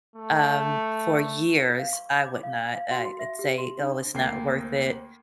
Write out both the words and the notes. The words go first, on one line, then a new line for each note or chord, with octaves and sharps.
Um, for years I would not, I would say, "Oh, it's not worth it,"
A3
F5
C#6
D6
F5
F5
F#4
C6
E5
G4
C6
D4
D2 A#3 G5 C7